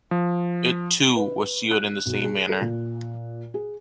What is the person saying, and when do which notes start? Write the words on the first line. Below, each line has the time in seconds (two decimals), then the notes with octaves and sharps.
It too was sealed in the same manner.
0.11 F3
1.16 B4
1.71 F#6
2.06 B1
2.24 G#4
2.49 A4
2.61 A#2
3.54 G#4